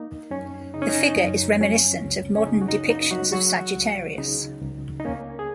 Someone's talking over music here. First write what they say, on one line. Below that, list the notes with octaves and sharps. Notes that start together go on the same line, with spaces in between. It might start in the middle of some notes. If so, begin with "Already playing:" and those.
The figure is reminiscent of modern depictions of Sagittarius.
Already playing: A#3 D#4
F#2 C#4
C#3 D#4
C#4
D#4
F#2
F#3 C#4
C#2
C#4
C#3 D#4
F#4
D#4
A#3 D#4
F#3 F#4
F#3 G#3 F#4
C#2
C#3 D#4
C#2
D#4
A#3 C#4
G#4